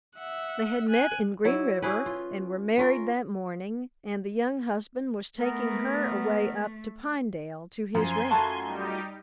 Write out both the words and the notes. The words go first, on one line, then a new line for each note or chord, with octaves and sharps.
They had met in Green River and were married that morning, and the young husband was taking her away up to Pinedale to his ranch.
E5 F#5
G#5 F#6
F#3 E4
C#4 E4 G#4 B4
F4
C#4 F4 A#4
A3 B3 A#4
F#2 F3 G#5 C6
A3 F4 F#4 A5
G3 D#4 G4